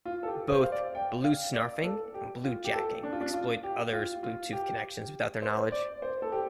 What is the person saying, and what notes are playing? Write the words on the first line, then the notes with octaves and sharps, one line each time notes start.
Both Bluesnarfing and Bluejacking exploit others' Bluetooth connections without their knowledge.
F4
A4
G4
C5
F5
D5
G5
F5
D5
A4
G4
F4
G4
A4
D4
F4
D4
F4
G4
F4
F4
G4
C5
D5
C5
A4
G4